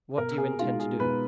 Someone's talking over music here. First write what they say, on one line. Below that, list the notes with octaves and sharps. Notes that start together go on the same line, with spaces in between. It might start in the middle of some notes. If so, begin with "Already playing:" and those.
What do you intend to do?
B2 A#4
G#4
G#3 D#4 F4 F#4
G#4
B2 B4